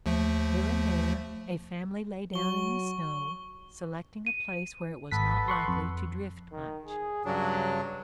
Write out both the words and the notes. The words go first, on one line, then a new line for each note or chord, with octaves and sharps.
Here and there, a family lay down in the snow, selecting a place where it was not likely to drift much.
D#2 F3 A3
F#3 C#6 G7
D#7
G#1 B3 A4 B4 B6
C6 C#6 F#6
F2
D#3
G#4
G2 C#3 F#3 D4